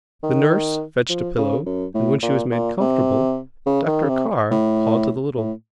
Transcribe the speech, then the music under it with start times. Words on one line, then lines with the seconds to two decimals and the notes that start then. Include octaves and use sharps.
The nurse fetched a pillow, and when she was made comfortable, Dr. Carr called to the little ones.
0.23 D#3
1.09 F3
1.38 C#3
1.66 F#2
1.95 A2
2.23 A#2
2.51 A#2
2.80 C3
3.66 C#3
3.87 D#3
4.04 C#3
4.09 C3
4.51 A2
5.37 A2